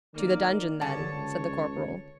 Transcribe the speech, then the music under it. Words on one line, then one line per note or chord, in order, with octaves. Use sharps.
"To the dungeon, then," said the corporal.
D#3 A#3 D5
G2 D3 C#5 A5
C#2